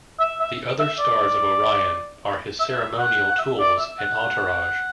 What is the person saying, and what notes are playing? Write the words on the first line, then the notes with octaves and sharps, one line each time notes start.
The other stars of Orion are his ceremonial tools and entourage.
E5
E5
E5
D5
E5
F#5
F#5
E5
D5
E5
F#5